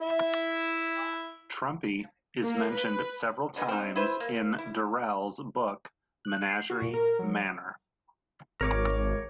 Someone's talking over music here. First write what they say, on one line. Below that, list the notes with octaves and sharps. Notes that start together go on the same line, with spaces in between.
"Trumpy" is mentioned several times in Durrell's book "Menagerie Manor".
E4 E5
A#3
B4
D3 G#3 B3
C4 D#4
E4 B4 C5 E5
A#3
E4
F#6
C7
F#4
A#2
A#4
F#3
G#1 A#4 C#5 D6